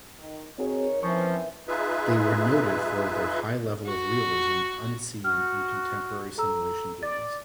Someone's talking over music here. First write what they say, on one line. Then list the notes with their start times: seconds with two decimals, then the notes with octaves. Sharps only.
They were noted for their high level of realism unseen in contemporary simulation games.
0.18 D#3
0.58 D#3 C4 F#4 G#4 C#5
1.03 E3 F3 C4 C#4 E4 B4 C#6
1.68 D#4 F4 G#4 B4 E5
3.85 F#4
5.24 F#4 F6
6.38 A4 A#5 E6
7.03 D5 A6